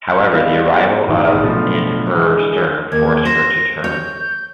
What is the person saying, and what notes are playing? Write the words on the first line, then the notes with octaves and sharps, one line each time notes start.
However, the arrival of in her stern forced her to turn.
C#7
G3 B3 E4 D#5 F5
D1 G1 D#3 E3 C#6
A#1 G#2 B4 D#6 F6
B1 A2 D3 F3 F#3
D3 E3 G#3
D#2 G#6
C5 A#6
C#5 G6